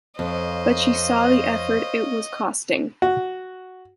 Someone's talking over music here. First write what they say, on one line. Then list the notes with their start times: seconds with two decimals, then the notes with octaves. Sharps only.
But she saw the effort it was costing.
0.19 F2 C5 C#5 D#5 F5
3.02 F#4